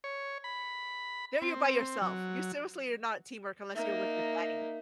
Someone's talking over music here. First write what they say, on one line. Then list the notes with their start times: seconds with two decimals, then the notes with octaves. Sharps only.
There you're by yourself, you seriously are not teamwork unless you're with your caddy.
0.04 C#5
0.44 B5
1.42 C4
2.02 F#3
3.75 A#3 D#4 E5